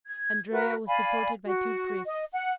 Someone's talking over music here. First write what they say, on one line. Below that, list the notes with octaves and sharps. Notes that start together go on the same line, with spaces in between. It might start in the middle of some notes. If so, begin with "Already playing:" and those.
Andrea was supported by two priests.
G#6
F#4 A#4 B4
D5 F5 G#5 B5
F#4
D#5
F#5